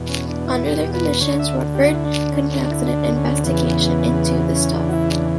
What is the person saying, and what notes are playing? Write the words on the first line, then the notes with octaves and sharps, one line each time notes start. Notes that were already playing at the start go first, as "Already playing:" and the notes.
Under their commissions, Rutherford conducts an investigation into The Stuff.
Already playing: E2 B2
C#4
D4
E4
G4
B4
D2 D3 C#5
E5
G4
F#4
E4
D4
C#4
C#4
D4
E4
D4
C#4
E2 C#3 E3 B3
C#4
D4
F#4
E4
D4